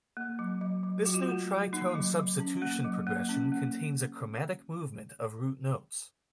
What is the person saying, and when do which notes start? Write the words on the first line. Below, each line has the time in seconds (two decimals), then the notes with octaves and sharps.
This new tritone substitution progression contains a chromatic movement of root notes.
0.17 A#3
0.39 F#3
0.61 F#3
0.84 F#3
1.05 F#3 F#4
1.14 F4
1.22 F#4
1.28 A3
1.50 F#3
1.73 A#3 D#4
1.95 F#3
2.17 F#3
2.40 C#4
2.62 A#3
2.85 F#3
3.07 A#3
3.29 C#4
3.52 A#3